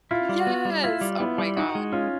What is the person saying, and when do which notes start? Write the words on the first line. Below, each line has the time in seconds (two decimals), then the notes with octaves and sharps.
Yes, oh my gosh.
0.11 E4 F4
0.29 G3
0.47 B3
0.65 G3
0.83 E4 F4
1.01 G3
1.20 B3 E4
1.38 G3
1.57 D#4 F#4
1.75 G#3
1.92 C#4 F4